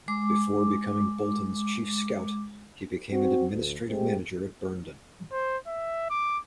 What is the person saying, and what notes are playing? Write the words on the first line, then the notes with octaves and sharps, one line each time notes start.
Before becoming Bolton's chief scout, he became an administrative manager at Burnden.
G#3 D6
C4 F#4
D2
G#3 A3 C4 G4
C5
E5
D6